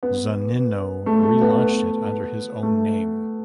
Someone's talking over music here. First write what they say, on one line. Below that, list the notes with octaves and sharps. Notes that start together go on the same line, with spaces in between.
Zunino relaunched it under his own name.
B3
A3
A3
B3
B3
A3